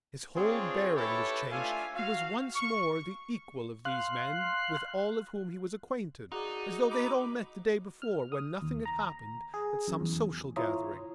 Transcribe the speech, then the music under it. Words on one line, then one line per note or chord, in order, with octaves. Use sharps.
His whole bearing was changed; he was once more the equal of these men, with all of whom he was acquainted, as though they had all met the day before, when nothing had happened, at some social gathering.
C4 D4 F4 G#4 C#5
E4 G4 A4 B4 C#5
A3 D4 F4 E5 F5 G#5
F#4 F5
C#6
F5 C6 F#6
D#4 F#4 G#4 D5
A#5 B5 D6
F6
D#6
D#2
A#5
G#4
F#2
E2
E4 F4 C#5 A#5 C6 D#6